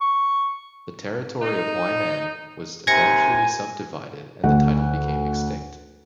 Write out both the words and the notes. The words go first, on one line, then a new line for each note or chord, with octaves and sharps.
The territory of Huainan was eventually subdivided and the title became extinct.
C#6
D#4
D#2 C3 G#5 G#6 A#6 C#7
D2 F#5